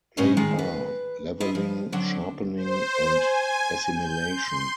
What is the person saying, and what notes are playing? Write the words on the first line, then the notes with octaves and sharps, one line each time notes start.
They are: "leveling", "sharpening", and "assimilation".
A2 C#3 C#4 C5 D#5
D#3 G#3 C4
B4
E4 F4 D#5
F3
D3 F#3 C4 D4
C5
G#5
G6
C6